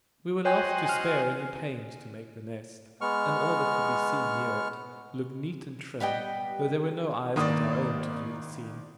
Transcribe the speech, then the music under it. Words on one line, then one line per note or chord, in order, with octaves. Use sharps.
We were loth to spare any pains to make The Nest, and all that could be seen near it, look neat and trim, though there were no eyes but our own to view the scene.
F#4 C5 C#5 D#5 G5 G#5
G#5 F6
G#3 B3 C#6 F6
G3 B3 D#5 G5
G#1 D#3 A#3 D5 D#6